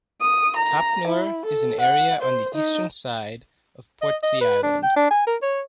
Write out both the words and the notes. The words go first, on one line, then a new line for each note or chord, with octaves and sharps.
Copnor is an area on the eastern side of Portsea Island.
D#6
A#5
E4
A4
F#5
C5
D#4
D#5
D#5
B4
D4
G5
D4
G#5
A#4
C#5